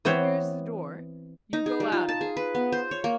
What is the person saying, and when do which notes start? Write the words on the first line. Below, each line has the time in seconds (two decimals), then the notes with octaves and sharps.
Here's the door, you go out of it.
0.05 E3 B3 C4 C5 C#5
1.53 D#4
1.66 G#4
1.80 G3
1.92 F4
2.09 A5
2.21 G#4
2.37 B4
2.55 B3
2.72 C5
2.91 C#5
3.04 A#3